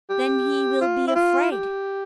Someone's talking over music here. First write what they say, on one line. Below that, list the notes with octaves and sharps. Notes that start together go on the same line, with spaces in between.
Then he will be afraid!
G4
F4
E4
F4
G4